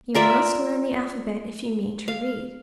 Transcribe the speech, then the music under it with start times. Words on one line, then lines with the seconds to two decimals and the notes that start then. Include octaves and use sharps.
You must learn the alphabet if you mean to read.
0.15 F4 A#4 D5 E5
2.08 F5